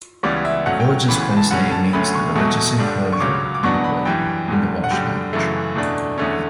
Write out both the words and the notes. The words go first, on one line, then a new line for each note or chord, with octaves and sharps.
The village's placename means the 'religious enclosure in the wood' in the Welsh language.
C#2 C#3 E3 G3 B3 D5
E5
G2 F#3 A3 C#4 F#5
G5
D2 C#3 E3 B3 B5
B5
A5
F#2 D3 G3 C#4 F#5
A5
D2 D3 A3 C#4 B5
C#6
E2 B2 F#3 A3 C#6
G2 D3 G3 D4
C#6
C#2 C#3 F#3 C#4 D6
D6
E2 B2 F#3 B3 D4 C#6
B5
F#2 E3 G3 G5
E2 D3 G3
F#5
F#2 D3 G3 G5
F#2 C#3 E3 A3
E2 B2 A3 D4
E2 D3 A3 C#4